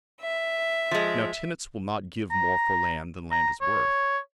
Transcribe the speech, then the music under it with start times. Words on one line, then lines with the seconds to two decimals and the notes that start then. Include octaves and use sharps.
Now tenants will not give more for land, than land is worth.
0.21 E5
0.91 F3 G#3
2.31 A#5
3.31 A#5
3.61 C#5